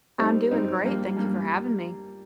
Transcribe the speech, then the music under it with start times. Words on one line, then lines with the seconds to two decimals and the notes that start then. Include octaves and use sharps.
I'm doing great. Thank you for having me.
0.19 G3 C4 D#4
0.51 G3 C4 D#4
0.84 G2 G3 A#3
1.17 G2 G3 A#3